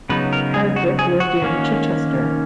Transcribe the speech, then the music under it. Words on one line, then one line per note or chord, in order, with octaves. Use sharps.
Hardwicke lived in Chichester.
C#3 F#3 B3 D#4 B4
A#4
G#4
F#4
G#4
F#4
D#3 A#3 C#4